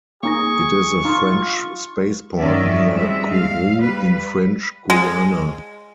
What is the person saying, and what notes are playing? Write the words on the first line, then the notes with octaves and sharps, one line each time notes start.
It is a French spaceport near Kourou in French Guiana.
A#3 D#4 G#4 C#6 A#6
D#4 F4 C6
G2 D#3 F#3 C#4 D5 E5
F3 G3 G#3 C4 E5
F5
G3 B4
G#3